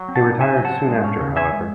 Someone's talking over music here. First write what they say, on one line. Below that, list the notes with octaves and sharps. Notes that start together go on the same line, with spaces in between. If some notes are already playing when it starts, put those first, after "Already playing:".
He retired soon after, however.
Already playing: F#3
C4
F#5 A5
D#4
C#3 E5 G#5
F#3
F#5 A5
C4
G#3
C#4
C#3
C#3 E5 G#5
G#3